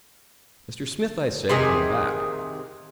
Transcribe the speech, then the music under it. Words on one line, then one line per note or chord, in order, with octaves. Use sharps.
Mr. Smith, I say, hung back.
C3 D#3 G#4